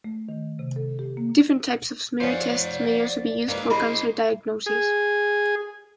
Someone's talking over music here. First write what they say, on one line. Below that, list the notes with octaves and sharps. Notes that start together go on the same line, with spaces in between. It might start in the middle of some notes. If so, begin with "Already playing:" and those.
Different types of smear tests may also be used for cancer diagnosis.
A3
D#3
C3
A4
G4
A#3
F3 C#4 C5 D5 F#5
G#2 A#3 B4
A#3 E4 G#4 C5 D#5 G#5 B5
G#4